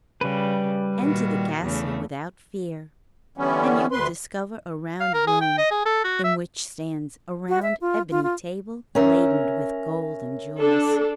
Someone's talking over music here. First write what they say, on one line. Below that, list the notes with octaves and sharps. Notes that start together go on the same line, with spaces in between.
Enter the castle without fear, and you will discover a round room in which stands a round ebony table laden with gold and jewels.
C#3 G3 B4
A#2 D#3 F#4
E2 C#3 A3
D3 E3 G3 B3 C#4
D2 B4 C6
F5
A#4
G#4
G5
D#5
G#4
A4
F#4
E5
F#4
E5
F4
F4
F4
C#4 A#4 E5
D4 A4